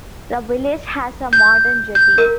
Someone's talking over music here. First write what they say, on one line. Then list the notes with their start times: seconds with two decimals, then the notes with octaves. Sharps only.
The village has a modern jetty.
1.33 G6
1.95 G6
2.18 A#4